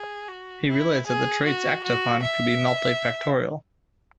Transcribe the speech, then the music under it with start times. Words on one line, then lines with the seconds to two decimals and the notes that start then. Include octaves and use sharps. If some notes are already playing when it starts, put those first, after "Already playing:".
He realized that the traits acted upon could be multifactorial.
Already playing: G#4
0.29 F#4
0.68 E4
1.06 G#4
1.45 F#4
1.84 F#4
2.22 E5